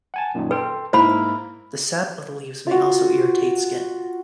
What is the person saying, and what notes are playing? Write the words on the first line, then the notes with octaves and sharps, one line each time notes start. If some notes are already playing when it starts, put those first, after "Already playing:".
The sap of the leaves may also irritate skin.
F#5 G#5 A5
F#2 A#2 D#3
A4 B4 G5 C6
G#2 A#3 E4 C5 B5
F4 F#4